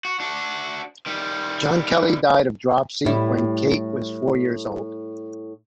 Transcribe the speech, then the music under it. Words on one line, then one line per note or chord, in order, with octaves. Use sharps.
John Kelly died of dropsy when Kate was four years old.
F#4
D4 F#4
D#3 G3
A2 G3 E4